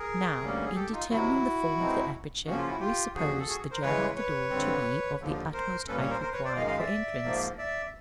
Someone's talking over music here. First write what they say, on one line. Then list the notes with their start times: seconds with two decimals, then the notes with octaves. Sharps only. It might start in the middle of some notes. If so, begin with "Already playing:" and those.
Now, in determining the form of the aperture, we supposed the jamb of the door to be of the utmost height required for entrance.
Already playing: G#4 A#4
0.41 D2 D3 G3 A#3 C#4
0.65 G#4
0.75 G4 A4
0.92 D#4 F4
1.10 C3 D#3 F#3 E4 F#4
1.77 B2 G#3 C4 D#4
2.46 C#3 F3 A#3 C#4 F#4
2.57 F4
2.67 E4 F#4
2.80 F4 G4
3.15 D#2 D3 F3 F#4 G#4
3.39 A4
3.48 F#4 G#4
3.71 A#4 C5
3.82 C#3 E3 G#3 B4 C#5
4.16 B4 C#5
4.50 G2 D3 G3 C4
5.19 D#2 D3 F3
5.53 A#4 C5
5.88 A#2 G3 A#3 C#4 A4 B4
6.00 C#5
6.10 A#4 C5
6.21 A#4 C5
6.33 B4 C#5
6.44 C5 D5
6.55 F#2 D#3 G#3 D#5 F5
6.67 D#5 F5
6.78 D5 E5
7.24 G#2 F3 A#3
7.58 D5 E5